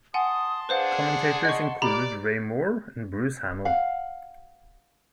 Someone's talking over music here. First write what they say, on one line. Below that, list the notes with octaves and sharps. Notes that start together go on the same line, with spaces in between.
Commentators included Ray Moore and Bruce Hammal.
F#5 G#5 A5 C6 D#6
D4 G#4 B4 C5 F5 F#5
D#5 C#6
G4 D5 A#5 B5 D6
F5 F#5